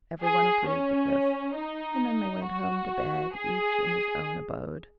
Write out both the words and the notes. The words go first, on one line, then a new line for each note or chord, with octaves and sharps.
Every one approved of this, and then they went home to bed each in his own abode.
G#4
C#4
D#4
F#4
G#4